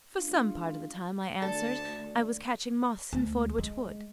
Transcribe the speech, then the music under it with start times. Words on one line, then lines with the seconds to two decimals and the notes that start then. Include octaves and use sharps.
"For some part of the time," I answered, "I was catching moths in Fordwitch Wood."
0.17 G#3 C#4 D4 F4
1.42 D2 A4 D5 A5
3.13 D2
3.58 G#3